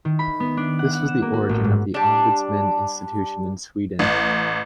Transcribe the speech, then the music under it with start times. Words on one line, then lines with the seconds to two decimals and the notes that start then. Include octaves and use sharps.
This was the origin of the ombudsman institution in Sweden.
0.05 D#3
0.19 B5
0.40 B3
0.57 D4
0.79 F#5
0.93 F#5
1.08 E7
1.22 A#3
1.33 F#4
1.49 A1
1.64 G#2
1.94 G3 D4
3.99 A1